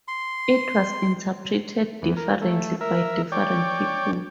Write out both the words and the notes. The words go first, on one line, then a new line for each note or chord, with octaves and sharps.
It was interpreted differently by different people.
C6
E2
A#4
A3
A#4 E5
C#5 D5 G5